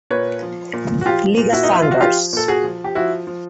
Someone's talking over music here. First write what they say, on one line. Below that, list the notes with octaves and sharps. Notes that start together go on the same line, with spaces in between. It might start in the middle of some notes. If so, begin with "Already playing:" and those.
Liga standards.
A#2 B4 C#5
F3
A#2
F#4
F3 F4 G4
A#2
E4 F#4
D#4
F3 E4
F4
F#4
F3 F4 G4
A#2 A4
F#4 G#4
F3
G4
F3 E4 F#4
F3